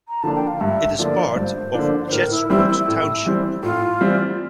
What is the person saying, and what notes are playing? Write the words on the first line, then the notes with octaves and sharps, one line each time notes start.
It is part of Chatsworth Township.
A#5
D3 F3 A#3 D4 A5
G5
F5
G2 E5
D3 F3 A#3 D4 D5
G2 C5
D3 F3 A#3 D4
C5
A2 A#4
E4
E3 G3 C4 E4
E4
A2
E3 G3 C4
A2 F4
E3 G3 C4